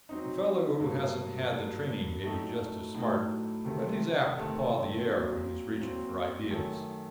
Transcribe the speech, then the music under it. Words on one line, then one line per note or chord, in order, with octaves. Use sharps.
The fellow who hasn't had the training may be just as smart, but he's apt to paw the air when he's reaching for ideas.
F#3 C4 D#4
G2 F#3 A#3
G2 F#3 A#3
A2 F#3 A3 D#4
A2 F#3 A3 D#4
C3 D#3 A3 C4
C3 D#3 A3 C4
A#2 F#3 C4
A#2 F#3 C4
F#2 D#3 A3